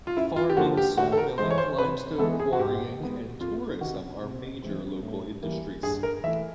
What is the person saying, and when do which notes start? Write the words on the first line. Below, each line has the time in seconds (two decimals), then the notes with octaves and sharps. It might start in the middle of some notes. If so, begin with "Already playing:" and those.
Farming, sawmilling, limestone quarrying and tourism are major local industries.
0.07 F4
0.16 F#2 E4
0.36 F4
0.49 G4
0.57 D3 F3 A#3 F#4
0.77 G4
0.97 A2 F#4
1.12 A4
1.18 A#4
1.38 E3 G#3 C5
1.50 C#5
1.58 C5
1.78 C3 B4
2.18 E3 G#3 B3 A4
2.40 G#4
2.53 F#4
2.59 G#2 G4
3.00 D#3 G#3 B3
3.40 F2 F4
3.81 C3 D#3 F#4
4.22 C3
4.62 E3 G#3 C4
5.03 A2
5.43 E3 G3 A#3
5.83 G2 G#4
6.03 A#4
6.24 E3 E5
6.27 A3